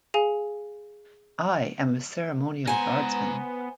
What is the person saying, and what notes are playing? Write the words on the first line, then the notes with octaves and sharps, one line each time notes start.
I am a Ceremonial Guardsman.
G#4 F5 G#5
G#3 B3 C5 F#5 G#5 A#5